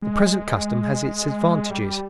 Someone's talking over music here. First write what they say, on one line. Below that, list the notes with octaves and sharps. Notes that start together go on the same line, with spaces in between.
The present custom has its advantages.
G#3
G3